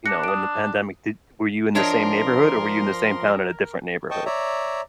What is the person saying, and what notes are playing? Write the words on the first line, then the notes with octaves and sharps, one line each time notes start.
you know, when the pandemic did were you in the same neighborhood, or were you in the same town at a different neighborhood?
D4 F#6 A#6 C#7
D#6 D7
F3 D4 A#4 C#5 D#5 C6
D#5 G5 A5 C#6
C#5 D5 E5 A#5